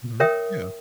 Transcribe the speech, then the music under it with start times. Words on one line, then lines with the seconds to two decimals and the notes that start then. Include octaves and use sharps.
Mhm, yeah.
0.20 A#4 C#5 E5 G5 D#6